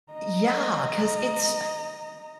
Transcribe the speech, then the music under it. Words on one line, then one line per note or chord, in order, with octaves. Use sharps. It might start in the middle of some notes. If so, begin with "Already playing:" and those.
Yeah. 'Cause it's
D#5 A#5